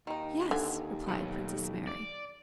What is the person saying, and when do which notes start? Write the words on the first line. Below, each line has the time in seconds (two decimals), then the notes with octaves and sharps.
"Yes," replied Princess Mary.
0.07 D#2 D#3 D#4
0.51 D3 G#5
1.08 B1 B4
1.87 D5